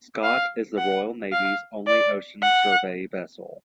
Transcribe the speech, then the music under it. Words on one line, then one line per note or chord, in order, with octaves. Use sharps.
"Scott" is the Royal Navy's only ocean survey vessel.
F5
F#5
F5
D5
F#5